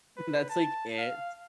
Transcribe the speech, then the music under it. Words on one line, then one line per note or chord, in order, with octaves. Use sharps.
that's, like, it.
B4
A5
F5